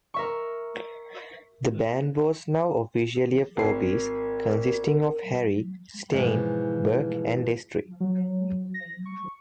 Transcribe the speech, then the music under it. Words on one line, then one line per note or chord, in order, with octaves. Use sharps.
The band was now officially a four-piece, consisting of Harry, Stein, Burke and Destri.
A#4 E5 C#6
G#1 A#4 C7
G#2 B2 E3 F3 G#3
F#3
A#6
C#6